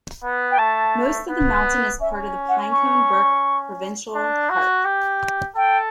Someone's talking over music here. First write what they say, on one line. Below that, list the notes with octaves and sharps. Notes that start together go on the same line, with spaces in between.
Most of the mountain is part of Pinecone Burke Provincial Park.
B3
G5
A3 A5
B3
C#4 E5
F#5
C#6
D4
F#4
G4
A4 G5